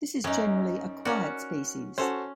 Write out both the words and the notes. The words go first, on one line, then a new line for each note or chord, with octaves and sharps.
This is generally a quiet species.
F#2 C#4 D#4
C#4 F#4 A#4 D5
C#4 F#4 A4 C5